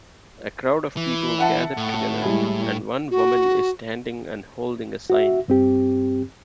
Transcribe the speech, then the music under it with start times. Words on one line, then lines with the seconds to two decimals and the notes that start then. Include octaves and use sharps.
A crowd of people gathered together and one woman is standing and holding a sign.
0.97 E3
1.38 E5 F#5 A5
1.77 A2
2.21 G3 G#3 E4
3.11 F#4
5.10 F#4 E5
5.48 G2 C4 G4